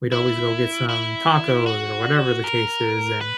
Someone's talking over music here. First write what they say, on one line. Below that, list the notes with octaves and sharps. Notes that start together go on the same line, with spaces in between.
we'd always go get some tacos, or whatever the case is, and,
E4
E4
F#4
A#4
B4